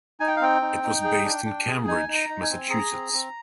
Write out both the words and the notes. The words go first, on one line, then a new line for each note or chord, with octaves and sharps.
It was based in Cambridge, Massachusetts.
D#4 G#5
G5
F5
C4 G5
D#4
D#4
G#4
D4
D4
G#4
D#4 G#5
D#4
A#5
D#4
G#5
C4
G#4 A#5
C4
C4